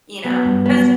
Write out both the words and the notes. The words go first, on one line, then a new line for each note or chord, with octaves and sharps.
You know, 'cause
F#3 B3
G2
F#3 B3